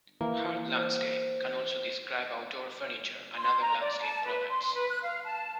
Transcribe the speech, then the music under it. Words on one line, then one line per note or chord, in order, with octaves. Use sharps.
'Hard landscape' can also describe outdoor furniture and other landscape products.
E3 A#3
C5
C6
A#5
D5
A5
B4
C6
B4
F#6
F5
A5